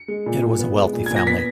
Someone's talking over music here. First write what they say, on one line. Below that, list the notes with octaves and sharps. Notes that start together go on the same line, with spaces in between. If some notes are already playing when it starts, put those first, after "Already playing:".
It was a wealthy family.
Already playing: C#7
G#3
A#2
A#2
B3
G#3
A#2
A#2 G#6
A#6
B3 B6